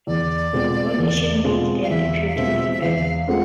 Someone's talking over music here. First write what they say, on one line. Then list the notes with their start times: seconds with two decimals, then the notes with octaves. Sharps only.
No nations made their debut in the event.
0.07 E2 D5
0.53 B2 G#3 C4 F4
0.98 E2
1.44 B2 G#3 C4 F4
1.83 F5
1.90 E2 E5
2.27 F5
2.36 B2 G#3 C4 F4 E5
2.73 E5
2.82 E2 F5
3.28 G#3 C4 F4 F#5